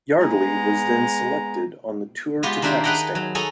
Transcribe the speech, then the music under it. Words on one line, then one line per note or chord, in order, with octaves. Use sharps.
Yardley was then selected on the tour to Pakistan.
G#3 B3 A#5
G#3 B3 F4 G4
D#3 A#3 D4 E4 G4 C5
G#4 B4 D#5 F#5 G5 A#5
F#3
G#4 A4 C#5 D#5 A#5